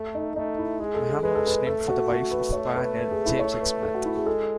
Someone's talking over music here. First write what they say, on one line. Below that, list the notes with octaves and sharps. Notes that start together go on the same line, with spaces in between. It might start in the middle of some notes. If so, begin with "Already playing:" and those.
Mehama was named for the wife of pioneer James X. Smith.
Already playing: A3 A4
D#4
A3 D#4
E4
G#3 G#4
A4
G#4
G#3 B4
A4
B4
A3 A4
F#4
A3 F#4
B4
A3 C#5
B4
B4
G#4
E4
A3 C#5
B4
A4
F#4
E4
G#4
G#3 A4